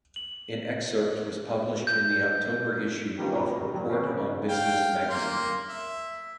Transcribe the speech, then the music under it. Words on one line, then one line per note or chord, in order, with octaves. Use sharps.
An excerpt was published in the October issue of "Report on Business Magazine".
F#7
G6
D#3 G3 A#3 B3 C#4 F4
C#2 A#2 F#4 C5 A#5 B5
G2 F#3
C#3 A#3 C4 C#4
D5
F5 G5
A#3 C6
E5